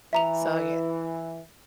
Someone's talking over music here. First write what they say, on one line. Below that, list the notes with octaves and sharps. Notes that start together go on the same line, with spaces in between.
so yeah.
E3 E5 A#5 F7